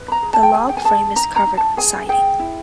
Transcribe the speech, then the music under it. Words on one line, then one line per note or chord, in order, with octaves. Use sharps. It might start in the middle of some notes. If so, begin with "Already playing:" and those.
The log frame is covered with siding.
Already playing: B4
B5
A#5
G#4
A5
G5
G#4 G#5
G5
G#5
G#4 A5
D#4 A#5
A#5
D#4
A5
G#4 G#5
G#4 G5
E4